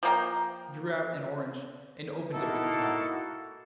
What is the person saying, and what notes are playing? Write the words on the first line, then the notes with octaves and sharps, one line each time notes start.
He drew out an orange and opened it with his knife.
F3 A#3 G5
A#3 D#4 E4 F#4 A4